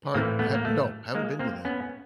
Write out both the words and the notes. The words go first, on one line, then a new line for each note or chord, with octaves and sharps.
Part have No, haven’t been to that one.
A2 E3 A#3 C4
A3 B3
A#3
A3
G#3 A#3
A#3 C4
B3 C#4